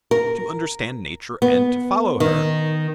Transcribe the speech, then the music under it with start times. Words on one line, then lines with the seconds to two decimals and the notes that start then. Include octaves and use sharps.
To understand Nature, and to follow her!
0.11 A#4
1.42 B3
2.20 D#3